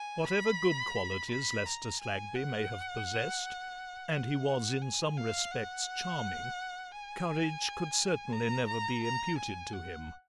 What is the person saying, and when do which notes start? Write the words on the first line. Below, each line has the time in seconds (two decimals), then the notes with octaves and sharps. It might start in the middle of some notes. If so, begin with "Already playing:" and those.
Whatever good qualities Lester Slaggby may have possessed, and he was in some respects charming, courage could certainly never be imputed to him.
Already playing: G#5
0.25 B5
1.31 B5
1.66 A#5
2.01 G#5
2.36 F#5
4.11 F#5
4.82 G#5
5.17 F5
5.52 F#5
6.92 G#5
8.33 A#5
8.68 A#5
9.03 A#5
9.38 G#5
9.73 F#5